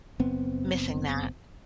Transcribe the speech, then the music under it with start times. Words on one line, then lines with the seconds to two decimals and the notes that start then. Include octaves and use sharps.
Missing that.
0.19 F#1 B3 C4